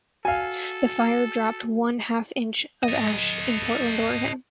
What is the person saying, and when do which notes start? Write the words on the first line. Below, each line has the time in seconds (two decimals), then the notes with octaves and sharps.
The fire dropped one-half inch of ash in Portland, Oregon.
0.25 F#4 A4 F5 G#5
2.84 A4 D#5